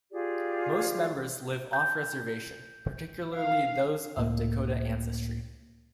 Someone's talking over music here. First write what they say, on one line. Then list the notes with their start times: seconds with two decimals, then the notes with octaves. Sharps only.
Most members live off-Reservation, particularly those of Dakota ancestry.
0.11 F4 G4 G#4 D5
1.73 G6
3.36 F5
4.17 C#2 A2 A#3